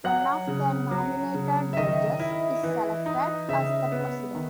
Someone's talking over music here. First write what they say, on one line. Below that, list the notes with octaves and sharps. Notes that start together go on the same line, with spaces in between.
One of the nominated Judges is selected as the President.
F#3 F#5
C#3
F#3
C#3
E5
D#3 D#5
E4
E3
D#4
C#3 E5
B3
D#3